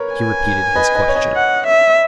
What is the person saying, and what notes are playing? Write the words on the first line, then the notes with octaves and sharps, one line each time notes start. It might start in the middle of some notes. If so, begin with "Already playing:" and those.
He repeated his question.
Already playing: A#4 B4 C#5
G#5
B4 D#5
B4 D#5
C#5
B4 D#5
F#5
E5